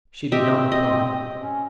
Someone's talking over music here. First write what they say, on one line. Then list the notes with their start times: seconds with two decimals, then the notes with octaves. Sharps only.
She did not reply.
0.32 C4 G4 D#5 E5
0.72 D#5
1.40 C#4